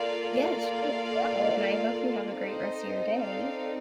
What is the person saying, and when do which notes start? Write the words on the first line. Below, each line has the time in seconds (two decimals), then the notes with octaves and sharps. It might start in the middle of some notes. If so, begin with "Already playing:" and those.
Yes, you as well, and I hope you have a great rest of your day.
Already playing: A#3 F4 A4 D5 F5
0.32 D5 F5
2.38 C4 D#4 A4 C5 D#5
3.20 D5 F5